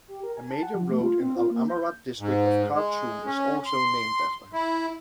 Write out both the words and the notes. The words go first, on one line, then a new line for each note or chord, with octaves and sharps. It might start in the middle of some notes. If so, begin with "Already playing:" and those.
A major road in Al Amarat District of Khartoum is also named after him.
G4
A#4
G#5
A5
F#5
F3
A3
F4
C4
F4
A#3
G6
G#2
G#3
C#4
C6
E4